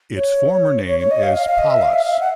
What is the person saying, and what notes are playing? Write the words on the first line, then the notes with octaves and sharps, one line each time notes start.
Its former name is Palas.
C#5
C#5
C#5
D#5
F5
F5
F5
D#5
E5
F5
E5
F5
E5
F#5